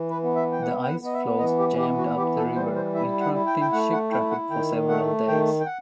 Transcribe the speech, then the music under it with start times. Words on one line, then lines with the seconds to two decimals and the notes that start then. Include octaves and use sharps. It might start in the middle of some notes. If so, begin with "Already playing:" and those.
The ice flows jammed up the river, interrupting ship traffic for several days.
Already playing: E3
0.10 B4
0.23 B3
0.36 E5
0.52 G5
0.62 B3 F#5
0.82 G5
0.87 F#5
1.01 B3 D#5
1.14 E5
1.39 E3 D#5
1.59 G4
1.78 B3 G4
1.98 F#4
2.17 E3 G4
2.37 A4
2.56 G3 C5
2.76 C5
2.94 E4 E5
3.21 F#5
3.34 E4
3.47 G5
3.61 G5
3.72 A3 F#5
3.92 F#5
4.11 E4 G5
4.31 F#5
4.50 D#3 G5
4.88 A3 F#5
5.28 D#3 G5
5.60 G5
5.66 F#5